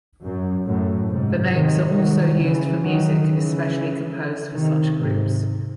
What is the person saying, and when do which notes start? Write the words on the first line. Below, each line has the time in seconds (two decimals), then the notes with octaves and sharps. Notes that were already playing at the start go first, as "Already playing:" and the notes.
The names are also used for music especially composed for such groups.
0.23 F#2
0.66 F#2 A2
1.09 G#2 C3
1.53 C3 D#3
1.96 D#3 F#3
2.39 C#3 E3
2.82 D#3 F#3
3.25 C#3 E3
4.55 C3 D#3
4.98 G#2 C3